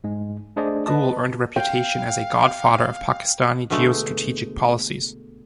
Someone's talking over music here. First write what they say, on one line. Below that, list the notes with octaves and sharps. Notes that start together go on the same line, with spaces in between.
Gul earned a reputation as a "Godfather" of Pakistani geostrategic policies.
G#2 G#3
A3 D4 G#4 C5 D5 D#5
B4 D#5 A5
F5 G5
B2 D3 G#3 A3